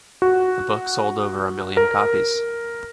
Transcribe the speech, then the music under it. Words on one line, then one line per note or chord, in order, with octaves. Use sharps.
The book sold over a million copies.
F#4
A#4